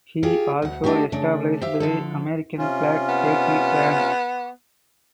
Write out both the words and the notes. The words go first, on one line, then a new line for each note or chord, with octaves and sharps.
He also established the American Flag cattle ranch.
F4 G4 G#4
D2 F#5
A3 D4 D#4 F#4 G4
C#3 A3 D4
G4 C5 E5 F5
D3 F3 A4
C3 C#4 F4
B3